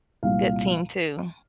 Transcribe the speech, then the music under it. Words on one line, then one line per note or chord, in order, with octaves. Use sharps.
Good team too.
C2 A#2 G3 F5